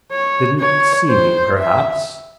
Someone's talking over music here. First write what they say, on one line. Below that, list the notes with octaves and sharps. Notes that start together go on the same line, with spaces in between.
Didn't see me perhaps.
C#5
C#5
C5
E5